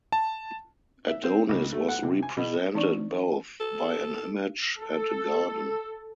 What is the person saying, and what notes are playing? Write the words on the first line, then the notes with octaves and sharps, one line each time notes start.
Adonis was represented both by an image and a garden.
A5
E5
C4
C#2
A3
F#5
C3
G#5
B2
E3 C4 D4 D#4 D5 C#6
A4
A4